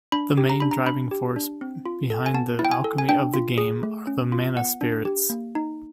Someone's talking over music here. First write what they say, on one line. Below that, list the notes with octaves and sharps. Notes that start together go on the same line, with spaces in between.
The main driving force behind the alchemy of the game are the Mana Spirits.
D4 B5
G4
A#5
D4 B5
A#5
D4 B5
G4
D4
C4
F4
A4
G#5
B3 A5
E4
G5
G#5
A4
G#5
D4 G5
F4
G#4
A3
C#4
F4
B3 F#5
D4
G4
A#3
D#4